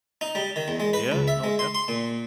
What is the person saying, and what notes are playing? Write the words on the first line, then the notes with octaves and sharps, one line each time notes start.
Yeah. No, def
D#4
G3
D#3
E2
G#3
B4
C#2
E5
G#3
C6
C6
A#2